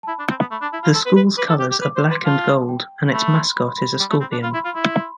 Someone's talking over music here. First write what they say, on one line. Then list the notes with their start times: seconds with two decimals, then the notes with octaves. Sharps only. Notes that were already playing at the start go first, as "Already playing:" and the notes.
The school's colors are black and gold and its mascot is a scorpion.
0.03 A5
0.07 E4 B5
0.19 D4
0.30 C4
0.40 B3
0.51 A3 B5
0.62 D4
0.65 A5
0.73 E4
0.79 F4 B5
0.94 A4 C6
1.06 B4
1.16 B4
1.38 B4 D6
1.49 A4
1.60 G4
1.71 G4
1.82 B4 D6
1.96 C5 D6
2.11 B4 C6
2.25 F4 A5
2.69 G5
3.13 A3 B5
3.34 C6
3.56 B5
3.67 C6
3.78 B5
4.00 G3
4.10 A3
4.21 C4
4.32 D4
4.43 F4 B5
4.51 E4 C6
4.58 B5
4.65 F4 C6
4.75 E4 B5
4.84 C6
4.92 B5
4.99 C6